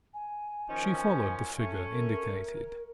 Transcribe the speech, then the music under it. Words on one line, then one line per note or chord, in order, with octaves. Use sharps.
She followed the figure indicated.
G#5
D#3 F3 C#4
A3 C#4
A#4